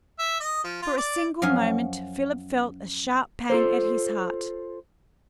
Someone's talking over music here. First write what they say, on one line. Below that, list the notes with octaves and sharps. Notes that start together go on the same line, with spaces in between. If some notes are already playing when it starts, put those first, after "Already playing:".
For a single moment Philip felt a sharp pang at his heart.
E5
D#5
F3
F4
D5
F#2 F3 C#4 F5 G#5
F4 A4 C5